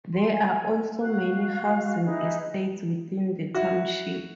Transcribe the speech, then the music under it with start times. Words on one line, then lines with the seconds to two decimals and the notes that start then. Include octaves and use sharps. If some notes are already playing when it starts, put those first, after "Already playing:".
There are also many housing estates within the township.
0.13 C6
0.31 G#5
1.01 F#4 F5 F#6
2.04 D#4 E4 G#4 B4
3.54 E4 F#4